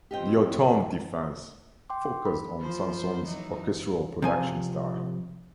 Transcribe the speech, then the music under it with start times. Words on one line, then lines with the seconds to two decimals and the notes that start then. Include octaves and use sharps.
"The Autumn Defense" focused on Sansone's orchestral production style.
0.11 F3 B3 C4 G4 D#5 G5
1.90 G5 C6 D6
2.25 B5
2.59 F3 C5
3.23 E3 F#3 D#4
4.22 C3 F3 G#5